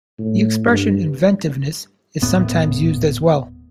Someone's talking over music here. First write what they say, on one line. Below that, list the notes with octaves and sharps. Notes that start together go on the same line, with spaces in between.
The expression "inventiveness" is sometimes used as well.
A2
G2
D#1 A2 B3